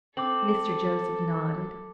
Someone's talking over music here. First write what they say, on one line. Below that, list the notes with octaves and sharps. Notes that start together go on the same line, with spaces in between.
Mr. Joseph nodded.
C4 A4 D6 F#7